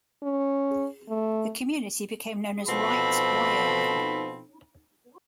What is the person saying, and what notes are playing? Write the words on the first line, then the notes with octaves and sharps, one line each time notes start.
The community became known as Wright, Wyoming.
C#4
A3
B2 F3 C4 A4 B5